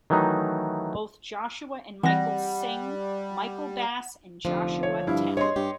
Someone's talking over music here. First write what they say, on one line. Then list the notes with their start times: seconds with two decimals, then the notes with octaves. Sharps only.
Both Joshua and Michael sing, Michael bass and Joshua tenor.
0.10 D#3 E3 F#3 A3 D#4
2.03 E3 G3 C4 F#5 A#6
4.45 F1 D3 F3
4.83 C#5
5.07 G2 E4 F5
5.37 G#4 C#5 D#5 C6
5.56 G2 G4